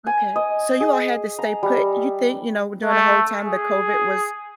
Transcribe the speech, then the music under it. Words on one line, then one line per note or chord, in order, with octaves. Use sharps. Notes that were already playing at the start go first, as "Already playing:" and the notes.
Okay. So you all had to stay put. You think you know, during the whole time the COVID was,
G#5
D#5
G#4
A#5
G3
A3
G#4